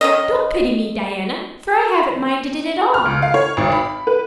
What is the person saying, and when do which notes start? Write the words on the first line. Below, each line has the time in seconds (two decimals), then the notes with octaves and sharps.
Don't pity me, Diana, for I haven't minded it at all.
0.01 D#3 C#4 D#5
2.94 F6
3.05 C#2
3.22 F5
3.34 C#5
3.57 G#1
3.72 B5
4.07 B4